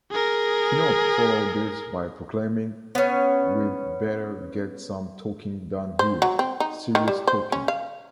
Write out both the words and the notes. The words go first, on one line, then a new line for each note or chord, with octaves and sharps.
Kinnock followed this by proclaiming We'd better get some talking done here, serious talking.
G#4 A#4
B3 C#4
C5
F#3
C4
D#4
D#3
G3
C5
C#4
F5